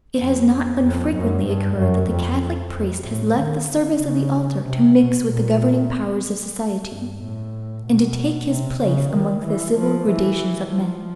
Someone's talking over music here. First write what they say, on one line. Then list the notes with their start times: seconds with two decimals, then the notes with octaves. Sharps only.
It has not unfrequently occurred that the Catholic priest has left the service of the altar to mix with the governing powers of society, and to take his place amongst the civil gradations of men.
0.18 F2
0.83 F2
1.14 F#2
1.46 G2
1.78 F#2
2.10 F2
2.74 F2
3.07 A2
3.38 D#3
3.70 D3
4.02 C#3
4.66 C3
4.98 B2
5.30 A#2
6.89 G2
7.22 A2
7.86 B2
8.50 C3
8.82 C#3
9.13 D#3
9.45 E3
9.77 F3
10.10 E3
10.73 F3